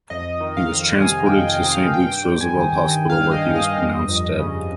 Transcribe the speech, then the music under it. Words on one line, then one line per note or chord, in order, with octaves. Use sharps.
He was transported to Saint Luke's-Roosevelt Hospital, where he was pronounced dead.
F2 D#5
D#3
F5
F2
C3 G#5
G5
F2
G5
D#3
F5
G2 G5
G2
G#5
D#3
D#3
F5
G2
D#5
G2
D#5
F2
F2
C#3